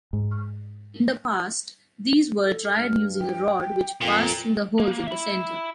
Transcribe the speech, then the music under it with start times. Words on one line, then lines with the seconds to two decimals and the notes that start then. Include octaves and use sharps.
In the past, these were dried using a rod which passed through the holes in the center.
0.13 G#2
2.45 A4
2.76 G2 F6
3.20 G5
3.61 G5
4.01 F2 A#2 G5
4.78 A#3
4.92 A#3
5.07 E5 B5